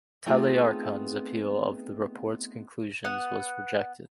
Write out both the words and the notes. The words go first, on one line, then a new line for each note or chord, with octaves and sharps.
Taleyarkhan's appeal of the report's conclusions was rejected.
A3 B3 C4 D#4 F4 G#4
B3 F#5